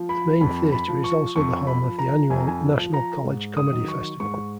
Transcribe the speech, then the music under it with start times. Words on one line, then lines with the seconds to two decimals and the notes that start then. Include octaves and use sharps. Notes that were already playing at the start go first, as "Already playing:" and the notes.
The main theater is also the home of the annual National College Comedy Festival.
Already playing: F3
0.09 B5
0.41 F2 B5
0.72 B5
0.88 F3
1.04 C#6
1.36 F2 C#6
1.67 B5
1.83 F3
1.99 A#5
2.30 F2 G#5
2.39 A#5
2.47 G#5
2.77 F3
2.94 A#5
3.25 G#2
3.57 D#6
3.73 D#3 F#3
3.88 C#6
4.20 G#2 C#6